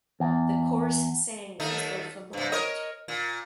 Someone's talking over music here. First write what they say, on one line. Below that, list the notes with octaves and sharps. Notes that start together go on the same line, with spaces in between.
The chorus sang as though from the heart.
E2
D#2 A3 D#4
G2 C3
A#4 C#5 D#5
A#2